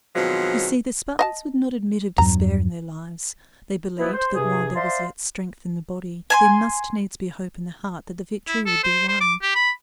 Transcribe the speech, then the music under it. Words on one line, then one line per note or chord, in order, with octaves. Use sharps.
You see, the Spartans would not admit of despair in their lives; they believed that while there was yet strength in the body, there must needs be hope in the heart that the victory would be won.
B2 D#3 F3 F#3 G#3 C4
D#5 F5 A5
E2 G2 F#3 A#5
B2 E3 F3 A#3 B3 E4
C5
G2 C3 G#4
C5 D5 E5 F5 A5 C6
G#5 A5 C6
E4
A4
C5
C5
D6
G4
B5